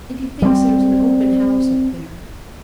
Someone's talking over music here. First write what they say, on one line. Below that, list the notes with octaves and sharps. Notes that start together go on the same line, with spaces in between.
"And he thinks there's an open house up there."
G3 C4